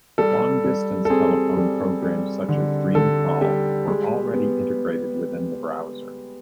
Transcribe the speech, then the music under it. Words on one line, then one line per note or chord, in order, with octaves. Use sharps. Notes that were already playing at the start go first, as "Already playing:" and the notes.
Long-distance telephone programs such as Dreamcall were already integrated within the browser.
G3 A4
G3
A4
C4 G#4
G3
G3
D3
D3 A4
G3 G4
G#3
B3